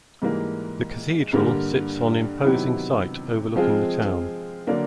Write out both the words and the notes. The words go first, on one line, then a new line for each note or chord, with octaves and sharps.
The Cathedral sits on imposing site overlooking the town.
G#2 E3 G3 A#3
G2 D3 G3 A#3
C3 D#3 F#3 B3 E4
F3 G#3 C4 F4 G#4
D3 F#3 A#3 D4